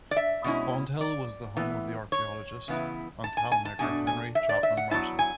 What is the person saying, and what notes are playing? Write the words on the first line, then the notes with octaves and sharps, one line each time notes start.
Fonthill was the home of the archeologist and tile maker Henry Chapman Mercer.
D5
E5
B2 G#3 C#4 E4
D5
A2 E3 B3
C#5
C#3 E3 B3 E4
A5
G#5
G#5
A5
B2 A3 D4 G#5
G#5
E5
D5
E5
F#5
F#3 B3 E4 A5
G#5